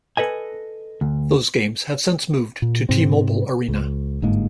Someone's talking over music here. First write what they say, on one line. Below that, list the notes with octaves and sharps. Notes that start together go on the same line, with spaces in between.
Those games have since moved to T-Mobile Arena.
A4 B4 D#5 G#5
D2
A#2
G#2 C3 C4
C#2
G1 G#2 G#3 A#3